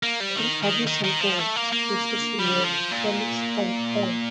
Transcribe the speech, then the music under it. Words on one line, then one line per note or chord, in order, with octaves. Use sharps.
In addition, "Terrorist" features Slayer vocalist Tom Araya.
A#3
G3
D#3
D#3
D#3
D#3
F3
A3
A#3
A#3
G3
F3
A#2